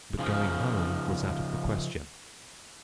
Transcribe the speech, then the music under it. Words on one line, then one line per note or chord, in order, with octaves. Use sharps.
But going home was out of the question.
C#3 F3